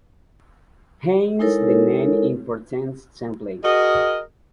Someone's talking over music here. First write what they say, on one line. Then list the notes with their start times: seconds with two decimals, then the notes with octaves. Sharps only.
Hence the name importance sampling.
1.39 G#3 D#4 E4 A4 A#4 C#5
3.64 F#4 G#4 A#4 D#5